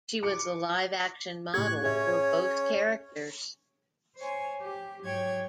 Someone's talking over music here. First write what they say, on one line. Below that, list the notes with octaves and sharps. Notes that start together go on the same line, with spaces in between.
She was the live-action model for both characters.
D6 C#7 D7
A2 G4 C#6 F#6 G#6
C#4 G#4 C#5 E5
C5 C#5 G#5 C6
G4
G#2 F#3 C#5 G5 G#6